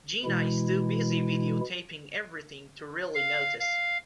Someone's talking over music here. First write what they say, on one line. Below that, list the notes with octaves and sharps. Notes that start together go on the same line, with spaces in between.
Gina is too busy videotaping everything to really notice.
B2 E3 G#3 E4
F5
F5